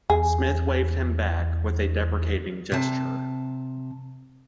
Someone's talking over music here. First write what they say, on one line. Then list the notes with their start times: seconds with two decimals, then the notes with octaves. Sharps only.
Smith waved him back with a deprecating gesture.
0.10 E2 G#4
2.72 C3 A5